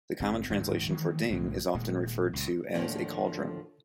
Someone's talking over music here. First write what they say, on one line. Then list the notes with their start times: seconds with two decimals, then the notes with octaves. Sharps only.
The common translation for ding is often referred to as a cauldron.
0.20 G1 C4
0.50 D1 G#2 D#3 F#3
0.90 D#3 E3 G3 G#3
1.29 B1 A2 D3 G#3
1.75 D#1 A#2 G#3
2.33 C#2 A#2
2.74 D#2 A2 D3 F3